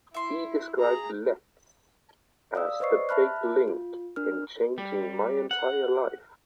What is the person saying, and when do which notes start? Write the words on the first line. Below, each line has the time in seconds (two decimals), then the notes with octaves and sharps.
He described Letts as "the big link in changing my entire life".
0.14 E4 E5 C6
0.79 G#4 A#5
2.55 D5 F5 D#6 E6
2.80 B4 C5 D5 D#5 C#6 C7
3.09 E5 A5 B5 F6 F#6
3.68 F4
4.16 D4 A#4 F6
4.78 G3
5.51 F#5